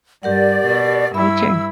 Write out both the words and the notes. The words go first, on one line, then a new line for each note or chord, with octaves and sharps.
So true.
G2 G4 A#4 D5 F#5
B2
G2 E4 E5 B5 E6